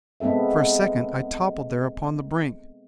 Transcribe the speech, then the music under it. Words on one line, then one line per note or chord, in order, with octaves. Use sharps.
For a second I toppled there upon the brink.
G#3 B3 C4 A4 E5